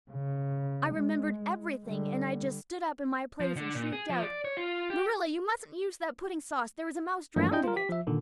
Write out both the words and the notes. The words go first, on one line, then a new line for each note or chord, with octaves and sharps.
I remembered everything and I just stood up in my place and shrieked out 'Marilla, you mustn't use that pudding sauce. There was a mouse drowned in it.
C#3
G#3
D3 G3
F3
D3
A#2
G#4
F3
D5
C#5
F4
G4
G2 E3 F3 A3 A#3 D4
D4 E4 D#5 G5 G6
F4 A#4
G4 B6
F3 E5
A#2 D3 D#3